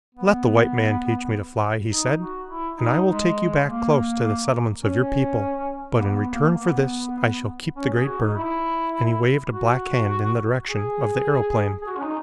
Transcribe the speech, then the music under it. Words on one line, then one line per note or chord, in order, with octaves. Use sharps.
"Let the white man teach me to fly," he said, "and I will take you back close to the settlements of your people, but in return for this I shall keep the great bird," and he waved a black hand in the direction of the aeroplane.
B3
D#4
F#4
E4
D#4
G#3
A#3
C#4
A#3
B3
A#3
B3
C#4
G#4
F#4
D#4
E4
F#4
G#4
G#4
F#4
C#4
D#4